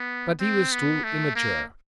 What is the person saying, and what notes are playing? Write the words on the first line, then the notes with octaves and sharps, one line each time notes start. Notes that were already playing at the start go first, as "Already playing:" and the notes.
But he was still immature.
Already playing: B3
C4
B3
A3
A#3